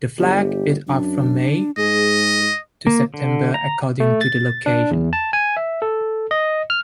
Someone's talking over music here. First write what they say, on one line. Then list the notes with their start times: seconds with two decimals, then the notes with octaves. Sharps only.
The flag is up from May to September according to the location.
0.19 G1 G4
0.87 F#2 D4
1.77 G#2 G#4 D#5
2.87 A#3
3.14 D3
3.54 A#5
4.00 A3
4.21 A6
4.66 D4
4.91 E2
5.13 A5
5.33 G#5
5.57 E5
5.82 A4
6.31 D#5
6.70 F6